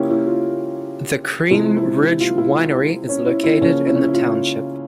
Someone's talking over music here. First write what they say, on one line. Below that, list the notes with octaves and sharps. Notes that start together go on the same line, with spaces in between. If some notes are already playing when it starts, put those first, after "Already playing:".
The Cream Ridge Winery is located in the township.
Already playing: C#3 F3 A#3 C#4 E4 F4 G4 A#4
E4
F4
C3 F3 G#3 E4
E4
E4
F4
E4
C#4
E4
E4
C#3 F3 A#3 C#4
E4
C#4
E4
F4